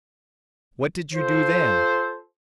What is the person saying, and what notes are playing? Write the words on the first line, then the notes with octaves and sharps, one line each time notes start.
"What did you do then?"
F4 A4 C5